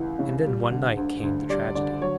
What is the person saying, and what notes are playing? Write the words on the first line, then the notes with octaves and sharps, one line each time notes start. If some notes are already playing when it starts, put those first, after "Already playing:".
And then one night came the tragedy.
Already playing: C#2 E3 F#5
C#3
G3
D3
D2
D2
G3 D5
D3 D5
F#3 C#5